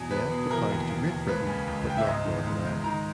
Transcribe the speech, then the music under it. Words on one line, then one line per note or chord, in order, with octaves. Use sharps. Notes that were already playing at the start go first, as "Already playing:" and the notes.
The Act applies to Great Britain but not Northern Ireland.
Already playing: E2 B2 G#5
E2 B4
B2
E3 A#4
D#2
D#2
D#2
C#2 B4
C#3
C#2
C#2 G5
E5
G#2 D#5
D#3
G#2
G#2
D#3 A#5